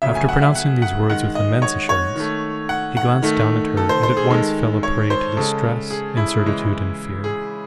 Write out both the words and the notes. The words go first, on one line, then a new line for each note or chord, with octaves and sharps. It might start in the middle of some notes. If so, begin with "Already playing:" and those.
After pronouncing these words with immense assurance, he glanced down at her, and at once fell a prey to distress, incertitude, and fear.
C#3 F#3 A3 E5
G#5
F#5
E5
F#5
F#5
D#3 G#3 F#5
D#5
C#5
C#5
D#3 A3
F#5
F#5
D#3 A3
A4
C5
C5
G#4
D#3 G#3 A4
C#5
C5
C#3 G#3 A4
G#4
E4
C#3 E3 G#3
G#4